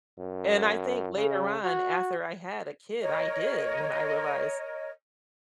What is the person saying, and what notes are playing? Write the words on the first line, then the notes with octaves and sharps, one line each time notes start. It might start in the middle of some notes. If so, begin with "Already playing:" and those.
and I think later on after I had a kid, I did when I realized
F#2
C#3
F#4
A#4 C#5 D#5